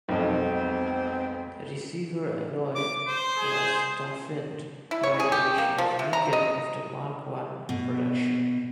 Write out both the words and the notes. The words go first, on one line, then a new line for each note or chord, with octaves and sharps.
The receiver alloy was toughened by addition of nickel after Mark One production.
B1 F2 G#3 B3 C4
D6
C5
G#4
E4
C#5
G#4
G4
A#3
F3
C3
A#5
D#5
B2